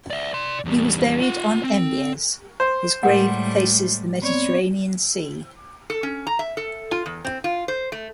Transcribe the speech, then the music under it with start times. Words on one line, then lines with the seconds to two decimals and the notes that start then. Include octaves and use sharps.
He was buried on Embiez; his grave faces the Mediterranean sea.
0.10 D5 E5
0.34 D5 C6
0.65 E2 G3
1.20 F4 F#5
1.63 C4
2.60 C5
3.03 A2 G3 G#3 A#4 F#5
4.22 B3 C4 C#5 D5
5.90 A4
6.03 C#4
6.27 A#5
6.39 E5
6.57 A4
6.91 F4
7.06 E2
7.25 C4
7.44 F4
7.68 C5
7.92 A3